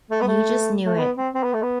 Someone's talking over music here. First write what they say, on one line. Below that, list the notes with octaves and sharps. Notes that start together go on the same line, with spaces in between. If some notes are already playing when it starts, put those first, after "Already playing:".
You just knew it.
A3
B3
A3
A3
B3
C4
C4
B3
A3
B3